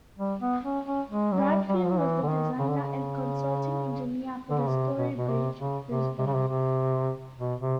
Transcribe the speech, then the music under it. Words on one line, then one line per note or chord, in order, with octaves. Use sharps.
Bradfield was the designer and consulting engineer for the Story Bridge, Brisbane.
G3
B3
C#4
C#4
G#3
F#3
G3
G3
F#3
F3
F#3
E3
D3
D#3
C#3
D3
C#3
D3
C#3
C3
B2
B2
C3
C#3
C3
C3
C#3
C3
C3
B2
C3